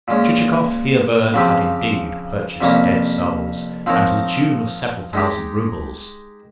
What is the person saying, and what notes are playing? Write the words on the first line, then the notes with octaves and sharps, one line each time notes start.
Chichikov, he averred, had indeed purchased dead souls, and to the tune of several thousand roubles.
A#2 G#3 C#4
C#3 F3 C4 G4
F2 C3 G3 A#3 C#4
F3 C4 D#4 A#4 C#5
G#3 D#4 G4